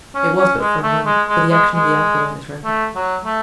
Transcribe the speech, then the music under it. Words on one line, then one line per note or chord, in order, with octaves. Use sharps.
It was but for a moment, for the action of the alkaloid is rapid.
C#4
C#4
G#3
A3
G#3
G#3
G#3
G#3
A3
F#3
A3